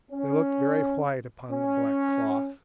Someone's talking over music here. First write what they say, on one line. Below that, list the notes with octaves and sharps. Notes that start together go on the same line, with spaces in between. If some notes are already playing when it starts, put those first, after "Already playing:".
They looked very white upon the black cloth!
C#4
C#4